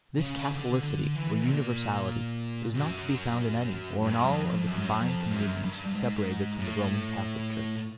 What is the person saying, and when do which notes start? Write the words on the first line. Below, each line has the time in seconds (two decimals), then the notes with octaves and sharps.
This Catholicity, or universality, is not to be found in any, or in all, of the combined communions separated from the Roman Catholic Church.
0.19 C#3
0.51 D3
0.83 D3
1.15 E3
1.47 A#2
2.75 F#2
4.02 G2
4.24 F2
4.45 F2
4.67 F#2
4.99 F2
5.31 F#2
5.63 G2
5.86 G2
5.95 G#2
6.59 A2